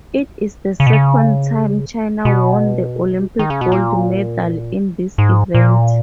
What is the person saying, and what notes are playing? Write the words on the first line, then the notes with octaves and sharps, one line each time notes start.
It is the second time China won the Olympic gold medal in this event.
C#3
B2
C#3
B2
D#3
C#3
B2
A#2
G#2
A#2